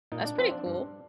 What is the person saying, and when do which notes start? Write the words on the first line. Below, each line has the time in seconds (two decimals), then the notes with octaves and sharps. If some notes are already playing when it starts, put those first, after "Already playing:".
That's pretty cool.
0.12 A#2 D#4
0.25 D4
0.38 F3 C4
0.51 D4
0.66 G2